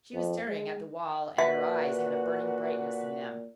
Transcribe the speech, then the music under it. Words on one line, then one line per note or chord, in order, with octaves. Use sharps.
She was staring at the wall, and her eyes had a burning brightness in them.
F2
G#3
A#2 F#4 B4 E5